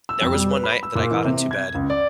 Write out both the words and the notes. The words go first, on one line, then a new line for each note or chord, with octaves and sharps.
There was one night that I got into bed,
E6
F2
G3
B4
B5
E6
A#2
E3
C3
G#6
C#2
D5